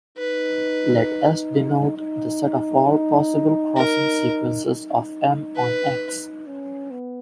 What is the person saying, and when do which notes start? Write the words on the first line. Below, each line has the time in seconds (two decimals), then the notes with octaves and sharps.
Let "S" denote the set of all possible crossing sequences of "M" on "x".
0.18 D#4 B4
1.97 D#4
2.87 D#4
3.77 A#4
4.66 D#4
5.56 B4
6.47 C#4
6.91 B3